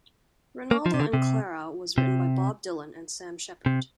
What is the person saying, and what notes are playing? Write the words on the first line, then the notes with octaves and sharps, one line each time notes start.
"Renaldo and Clara" was written by Bob Dylan and Sam Shepard.
A#3
F3
C3
D3
C3
C3
C3